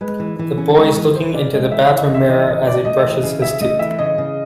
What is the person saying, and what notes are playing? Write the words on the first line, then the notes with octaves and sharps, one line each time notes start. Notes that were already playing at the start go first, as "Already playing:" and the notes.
The boy is looking into the bathroom mirror as he brushes his teeth.
G#3 B4
E3
E3
C#4
G#3
E3
E3 C5
C#4 D5
G#3 D#5
E3 E5
E5
E3
D#5
C#4 E5
E3 D#5
C#3 D#5
C#3 D5
A3 D#5
E3
C#3
C#3 E5
A3 D#5
E3 E5
C#3 D#5
C#3